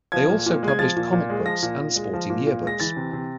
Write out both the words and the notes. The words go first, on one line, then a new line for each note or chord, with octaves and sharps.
They also published comic books and sporting yearbooks.
F3 G#6
A#2
A#2
G#3 G#6
F3 A6
A#2
A#2
G#3
F3 A#6
A#2
A#2
G#3
F3
A#2
A#2
G#3 A#6
E3 A6
C3
C3